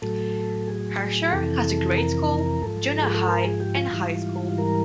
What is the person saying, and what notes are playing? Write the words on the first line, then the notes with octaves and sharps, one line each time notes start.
Herscher has a grade school, junior high, and high school.
A2 F#3 A4
G#4
F2 C3 E3 A4
A#4
G#2 F3 A4
G#4
A4
A#4
G#4
G4
F4
G#2 E3 G3
A#4